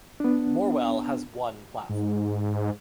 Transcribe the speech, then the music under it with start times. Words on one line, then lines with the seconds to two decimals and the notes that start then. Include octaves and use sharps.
Morwell has one platform.
0.20 B3 D4
1.89 G#2